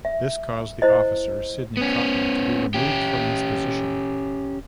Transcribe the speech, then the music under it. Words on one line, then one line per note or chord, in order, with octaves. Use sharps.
This caused the officer Sidney Cotton to be removed from his position.
E5
E4 C5 D#5
B3 C#4
C#4 G4